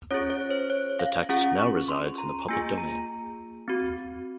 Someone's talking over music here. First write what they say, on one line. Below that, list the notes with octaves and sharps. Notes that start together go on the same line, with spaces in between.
The text now resides in the public domain.
C#4 F4 G#4 C#5
C#5
C5
C#5
F5
C#4 F4 G#4 F#5
C#6
C6
A#5
A#3 F4 G#4 G#5
A#5
C4 F#4